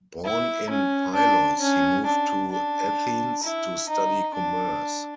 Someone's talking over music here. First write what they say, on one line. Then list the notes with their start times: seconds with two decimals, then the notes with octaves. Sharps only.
Born in Pylos, he moved to Athens to study commerce.
0.24 E4
0.70 C#4
1.14 D4
1.60 C#4
2.06 D4
2.52 D4
3.43 E4
3.89 D#4
4.34 D4